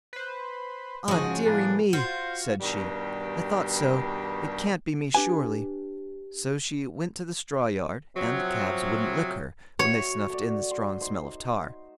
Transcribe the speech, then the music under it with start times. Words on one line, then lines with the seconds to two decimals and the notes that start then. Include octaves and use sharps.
'Ah, deary me', said she, 'I thought so; it can't be me surely.' So she went to the straw-yard, and the calves wouldn't lick her, when they snuffed in the strong smell of tar.
0.13 B4 C5
1.08 G#2 C#3 F3 F#4 G#4 D#5
1.45 A2 A#3 B3 D4
1.93 F4 F#4 C5
2.60 G2 B2 D#3 G3
5.15 D4 G4 B4 G#5
8.16 C3 F3 F#3
9.79 F#4 C#5 E5
10.29 A3 D5
10.71 C6
11.01 D#4 C5